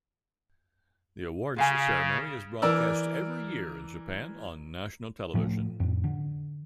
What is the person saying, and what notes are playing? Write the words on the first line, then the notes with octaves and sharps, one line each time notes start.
The awards ceremony is broadcast every year in Japan on national television.
C#3 F4 F5 G#5
E3 A#4 D5 E6
A2 F3 G3 A3
F2 A2
D3